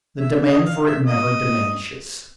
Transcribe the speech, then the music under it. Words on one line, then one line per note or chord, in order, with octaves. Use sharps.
The demand for it never diminishes.
E5
D#5
F5
E5
D#5